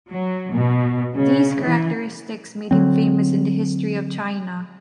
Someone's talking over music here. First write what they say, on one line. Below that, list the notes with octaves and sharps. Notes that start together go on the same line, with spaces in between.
These characteristics made him famous in the history of China.
F#3
B2
C#3
E3
D3 F#3 C4